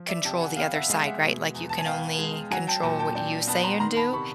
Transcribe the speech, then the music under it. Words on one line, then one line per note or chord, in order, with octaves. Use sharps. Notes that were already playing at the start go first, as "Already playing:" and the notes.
control the other side, right? Like, you can only control what you say and do.
Already playing: F3
D5 E5
C3 G5 A5
F#5 G#5
B3 F5 G5
E5 F#5
G#3 D#5 F5
E5 F#5
B2
E2
A5
G#5
B3 F5 G5
G#3
F#3 F#5 G#5
G5 A5
A#2 G5 A5
G5 A5
D4 G5 A5
B3 A5 B5
A#5 C6
D#3 A#5 C6
A5 B5
C3 B5 C#6